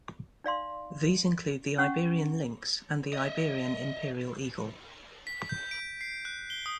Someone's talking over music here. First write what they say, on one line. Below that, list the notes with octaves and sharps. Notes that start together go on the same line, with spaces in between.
These include the Iberian lynx and the Iberian imperial eagle.
D#4 D5 F5 C6
C#4 F#5 C#6
D#5 E5
B6
G6
D7
C7
F#6
G7
D#6